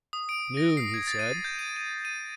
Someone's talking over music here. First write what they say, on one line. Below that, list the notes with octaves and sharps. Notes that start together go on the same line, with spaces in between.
"Noon," he said.
D#6
D7
A#6
C7
G#6
A6
D#7
G6
D#7
D#7
D#7